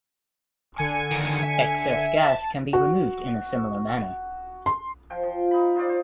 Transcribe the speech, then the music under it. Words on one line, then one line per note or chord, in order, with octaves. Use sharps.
Excess gas can be removed in a similar manner.
D3 G#5 C#7
E2 D#3
E5
A5
F#4
C6
F3 F4 G5
F3
D#4 B5
D#4 F4 C5 D5
C5